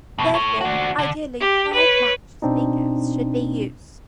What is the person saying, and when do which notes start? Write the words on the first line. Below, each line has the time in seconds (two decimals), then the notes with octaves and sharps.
Therefore, ideally five matched speakers should be used.
0.19 F2 B2
0.34 A4 C#5
0.61 D4 F#4
0.99 D3
1.41 G4
1.72 B4 C#5
2.42 B2 C4 D4 D#4